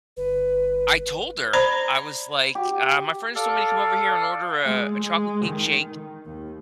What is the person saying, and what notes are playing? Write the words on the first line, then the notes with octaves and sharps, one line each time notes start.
I told her. I was, like, "Uh, my friends told me to come over here and order a a chocolate cake shake."
G1 B4
C5 D5 A#5 B5
G4
A4 D5 F5
G#3
G#3
D#3
D#2